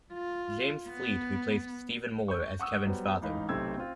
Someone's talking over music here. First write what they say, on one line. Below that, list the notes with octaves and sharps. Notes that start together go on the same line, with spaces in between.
James Fleet replaced Stephen Moore as Kevin's father.
F4
B3
C#6 G6
F#5 C#6 D#6 E6
F#3 G3 B3 C5
A1 G#2 D#4 F5 B5
B1 C3 A3 C4 E6 G#6
C4 F4